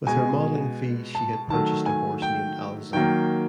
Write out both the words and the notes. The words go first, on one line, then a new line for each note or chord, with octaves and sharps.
With her modelling fees, she had purchased a horse, named Alezon.
B2 G#3 G#5
A5
D#3 F#3 A3 A5
G#5
G5
D#3 F#3 A#3 G5